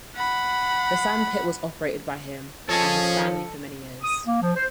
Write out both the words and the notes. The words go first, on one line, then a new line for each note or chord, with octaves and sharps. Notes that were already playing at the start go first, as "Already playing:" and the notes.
The sand pit was operated by him and his family for many years.
F#5 B5
F3 G#4 A4 C#5 D#5 G#5 A5
D#6
A#3
F3
C5